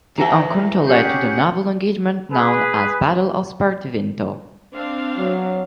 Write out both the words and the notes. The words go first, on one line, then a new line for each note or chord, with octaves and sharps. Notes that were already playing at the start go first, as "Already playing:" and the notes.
The encounter led to the naval engagement known as Battle of Spartivento.
E2 A2 E5 A#5 A#6 G7
C#4 G4 G#4 F#5 G6
G#4 B4
C4 D4 F5
F#3